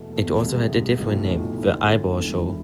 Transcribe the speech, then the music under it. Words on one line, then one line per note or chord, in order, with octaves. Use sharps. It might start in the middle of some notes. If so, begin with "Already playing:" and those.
It also had a different name: The Eyeball Show.
Already playing: E2 B2 A3
E2 B2 A3
C2 C3 G#3
C2 C3 G#3
B1 A2 F3
B1 A2 F3
D2 D3 A3 E4
D2 D3 A3 E4
E1 E2 D3 A3 E4
D3 A3 E4